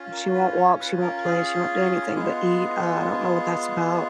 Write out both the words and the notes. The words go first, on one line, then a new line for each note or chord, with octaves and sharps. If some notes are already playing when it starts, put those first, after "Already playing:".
she won’t walk, she won’t play, she won’t do anything but eat, uh, I don’t know what that’s about,
Already playing: C#4 F4
A#4
B4
C#5
B4
A#4
G#4
G#3 B3 F4 G#4